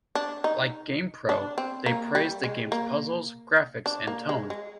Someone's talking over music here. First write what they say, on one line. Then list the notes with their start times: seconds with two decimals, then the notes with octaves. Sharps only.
Like "GamePro", they praised the game's puzzles, graphics, and tone.
0.15 D4
0.44 D#4
1.29 D4
1.58 C4
1.86 A#3
2.15 G3
2.44 G#3
2.72 A#3
3.86 D4
4.07 A#3
4.29 G#3
4.50 G#3